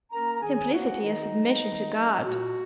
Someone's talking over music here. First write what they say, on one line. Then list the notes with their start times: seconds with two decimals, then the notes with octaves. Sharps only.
Simplicity is submission to God.
0.12 A#3 C#4 A#4 A#5
0.36 A#5
0.42 D#3 G#4 G#5
0.72 A#3 C#4 F#4 F#5
1.02 D#3 D#4 D#5
1.33 F#3 A#3 C#4
1.63 D#3
1.93 F#3 A#3 C#4
2.22 A#2 F#4